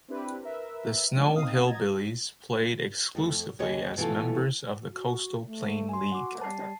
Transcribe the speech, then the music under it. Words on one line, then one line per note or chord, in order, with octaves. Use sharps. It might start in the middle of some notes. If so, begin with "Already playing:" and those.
The Snow Hill Billies played exclusively as members of the Coastal Plain League.
C4 D4 E4 G4 B4
A#4 B4 E5
F3 G#3 A3 B3 D4
B2 C4 D#4 F5 D#6
D#5 A#5 G#6 A6
F2 A3
D#2 C#3 C#5 D#5
B2 E3 A3 F4 A4
F#4
A3
G#5 C6
F#4 F#5 D6
G3 A5 C7